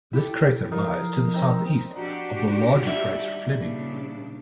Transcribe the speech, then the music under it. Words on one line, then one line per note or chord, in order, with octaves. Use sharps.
This crater lies to the southeast of the larger crater Fleming.
E4 G4 A4
F3 D#4 A#4 C7
C4 D#4
D4 F#4 G4
G3 D#4 E5
A#2 C#3 D4